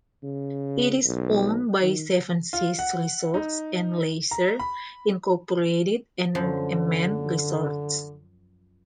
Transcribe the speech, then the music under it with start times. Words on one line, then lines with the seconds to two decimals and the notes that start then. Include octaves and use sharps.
It is owned by Seven Seas Resorts and Leisure, Incorporated and Aman Resorts.
0.23 C#3
1.05 B1
1.82 D#3
2.53 F4
2.79 F#5
3.34 D#4
4.31 A#5
4.60 B5
6.35 F#2 D3 F3